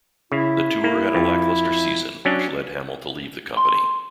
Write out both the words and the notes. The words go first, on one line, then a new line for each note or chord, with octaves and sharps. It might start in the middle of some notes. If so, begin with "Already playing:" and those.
The tour had a lackluster season which led Hamill to leave the company.
C#3 E4
A#3
F2
F#3 C#4 D4
C6